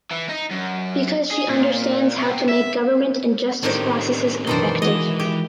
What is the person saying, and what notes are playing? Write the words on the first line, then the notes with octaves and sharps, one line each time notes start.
Because she understands how to make government and justice processes effective.
E3
D#4
F#2
G#4
A#2
C3
E5
A2 D#3 C4 D4 G4
F#2 B2 D#3 E3 D4 C5
E3 G#3 F#4 D#5
G4